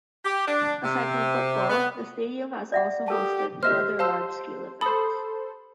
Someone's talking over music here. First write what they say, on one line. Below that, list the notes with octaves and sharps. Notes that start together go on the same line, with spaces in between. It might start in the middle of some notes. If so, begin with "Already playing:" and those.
Aside from football, the stadium has also hosted two other large-scale events.
G4
D4
C3
B3
D5 E5 F#5
G4 A4 A#4 A5
G4 C5 D#5 E5 F6
C5 F5 A5 E6
A4 C5 B5 D#6